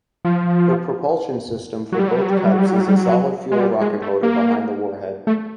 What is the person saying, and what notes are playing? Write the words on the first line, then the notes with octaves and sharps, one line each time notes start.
The propulsion system for both types is a solid-fuel rocket motor behind the warhead.
F3
F#3
G3
F#3
G3
F#3
G3
F#3
G3
F#3
G3
F#3
G3
F#3
G3
F#3
G#3
G3
G#3
A3
A#3
A3